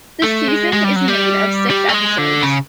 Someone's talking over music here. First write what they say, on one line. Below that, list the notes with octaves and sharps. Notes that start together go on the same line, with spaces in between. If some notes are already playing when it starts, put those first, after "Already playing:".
The season is made of six episodes.
A3
G#3
G#3
G3
F#3
G3
G3
A3
G#3
D3
C#3